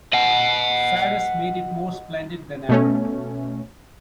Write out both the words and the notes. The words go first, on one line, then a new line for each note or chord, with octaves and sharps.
Cyrus made it more splendid than ever.
D#5 F#5
B2 A3 C#4